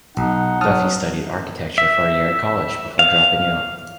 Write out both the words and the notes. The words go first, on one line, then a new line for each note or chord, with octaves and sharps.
Duffy studied architecture for a year at college, before dropping out.
B1 D#4 F#5
F#3 A5 D#6 F6
E5
F5